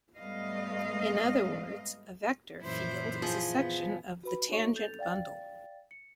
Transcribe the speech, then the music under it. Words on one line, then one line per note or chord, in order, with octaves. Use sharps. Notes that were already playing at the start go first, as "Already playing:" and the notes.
In other words, a vector field is a section of the tangent bundle.
G#2 G3 A3 B3 D#5 F5
F#2 A#2 E3 E4 C5
F3 G#4
B3
F#4 B4 B5
D#4 F#4 A4 C#5 E5 C#6
A4 G6 A6 F7
D5 F5 G5 A6
C#7